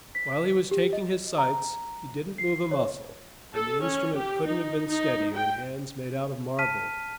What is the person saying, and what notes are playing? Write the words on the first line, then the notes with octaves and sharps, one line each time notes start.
While he was taking his sights, he didn't move a muscle, and the instrument couldn't have been steadier in hands made out of marble.
B6
G4
D#5
A#5
C7
C#5
A4
C#4
G4
D#4
D#4
G5
A5 F6 B6 D#7